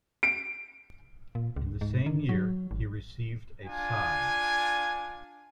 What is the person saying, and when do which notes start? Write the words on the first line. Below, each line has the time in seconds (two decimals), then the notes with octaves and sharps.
In the same year, he received a Sci.
0.23 D7
1.35 A#2
1.56 C#2
1.81 G#2
2.06 D#3
2.29 F#3
2.71 G#1
3.66 D4 F4 G#5